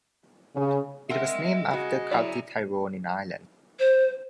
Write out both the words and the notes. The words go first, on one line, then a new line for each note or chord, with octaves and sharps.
It was named after County Tyrone in Ireland.
C#3
C4 A#4 D#5 E5 F#5 C6
C#3 F#4 G#4
F#3 E4 D5 E5 A#5
C5